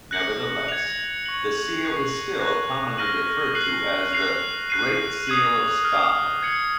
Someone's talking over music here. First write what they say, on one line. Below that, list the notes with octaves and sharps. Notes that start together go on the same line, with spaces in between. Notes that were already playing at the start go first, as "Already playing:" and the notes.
Nevertheless, the seal is still commonly referred to as the Great Seal of Scotland.
F#6 A#6 C#7 F#7
G#6 C#7 F7
C#6 F#6 C#7 F#7
C#6 F#6 C7
C#6 F#6 A#6
F6 A#6 D#7 F#7
F#6 C7 F#7
F#6 C7 F7
F#6 C7 D#7
D#6 G#6 D#7 F#7
F6 G#6 C7
G#6 C#7 F#7